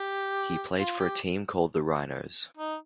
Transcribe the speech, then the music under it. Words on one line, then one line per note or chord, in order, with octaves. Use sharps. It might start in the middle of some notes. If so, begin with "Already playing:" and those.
They played for a team called The Rhinos.
Already playing: G4
F4
G4
D#4